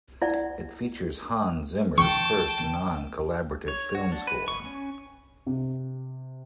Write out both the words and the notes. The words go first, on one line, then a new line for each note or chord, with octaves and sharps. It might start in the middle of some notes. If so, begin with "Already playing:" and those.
It features Hans Zimmer's first non-collaborative film score.
E4 D5 F#5
G5 A5 C#6
C#5
F#4
D4
B4
C#6
C#4
C3